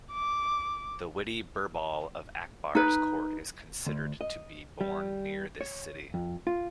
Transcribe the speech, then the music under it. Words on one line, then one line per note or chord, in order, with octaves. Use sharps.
The witty Birbal of Akbar's court is considered to be born near this city.
D6
D#4 B4
D2
D#5
G3
C#5
F2
F4